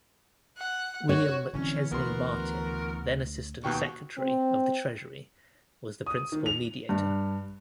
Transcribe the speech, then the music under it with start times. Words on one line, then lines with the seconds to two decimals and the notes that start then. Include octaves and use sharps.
William McChesney Martin, then Assistant Secretary of the Treasury, was the principal mediator.
0.58 F#5
1.09 F#4 C#5
1.54 D3 E3 C4 C#4
1.91 D2 B3 F#4 A#4 C6
3.64 D#2 B2 G5 C#6
4.18 C4
6.06 D#6
6.32 D#3
6.46 F7
6.89 G2